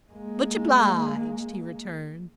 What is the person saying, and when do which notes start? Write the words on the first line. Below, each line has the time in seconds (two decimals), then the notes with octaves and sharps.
"Much obliged," he returned.
0.11 G#3 A#3